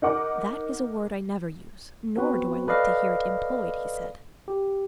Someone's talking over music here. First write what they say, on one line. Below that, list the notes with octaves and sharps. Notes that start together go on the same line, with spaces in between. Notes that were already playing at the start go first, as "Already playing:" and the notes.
"That is a word I never use, nor do I like to hear it employed," he said.
D#4 A#4 F#5 D6
B3 C4 F#4 B4
A4 B4 D5 D#5 F5
G4